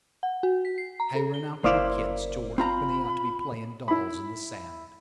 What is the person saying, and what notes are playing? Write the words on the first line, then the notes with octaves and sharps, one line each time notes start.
Hirin' out your kids to work when they ought to be playin' dolls in the sand.
F#5
F#4
B6
C7
A#5
A4
G7
F#1 A#3 E4 C5 D5 F5
C4 F4 A#5 B5
E4 B5